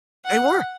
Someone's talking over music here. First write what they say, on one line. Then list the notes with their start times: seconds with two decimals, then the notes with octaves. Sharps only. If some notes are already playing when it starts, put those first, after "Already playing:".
They were.
0.25 F#5